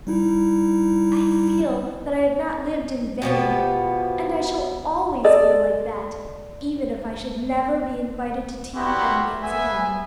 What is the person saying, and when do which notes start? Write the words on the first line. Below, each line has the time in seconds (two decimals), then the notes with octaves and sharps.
I feel that I have not lived in vain and I shall always feel like that even if I should never be invited to tea at a manse again.
0.07 G3 D#4 E4
3.22 B2 F3 B3 G4
5.24 A4 D5 D#5
8.76 G3 B3 E4 F#4 G4 C6
9.43 B3 E5 G#5